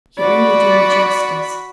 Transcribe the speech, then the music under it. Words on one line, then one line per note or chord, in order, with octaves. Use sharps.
'You only do me justice.
F#4 D5 B5